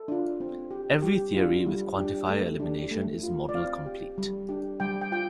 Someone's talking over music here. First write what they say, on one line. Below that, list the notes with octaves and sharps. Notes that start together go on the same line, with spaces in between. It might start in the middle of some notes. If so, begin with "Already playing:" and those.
Every theory with quantifier elimination is model complete.
Already playing: A4
D4 F4
C4
G4
G3 G4
D4 F4
G3
D4 G4
A3 A4
D4 G4
A3
F4
D5
C4 F5
G4
G3
D4 G4
G3 G5
G5
F4 G5